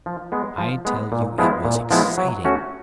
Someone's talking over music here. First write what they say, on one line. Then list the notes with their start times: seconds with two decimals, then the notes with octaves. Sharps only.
I tell you it was exciting.
0.06 F3
0.32 G#3 B3
0.58 F3
0.85 G#3 B3
1.12 A#2
1.38 F3 G#3 B3 E4
1.65 A#2
1.91 F3 G#3 B3 E4
2.18 F#3
2.44 A3 C#4 F#4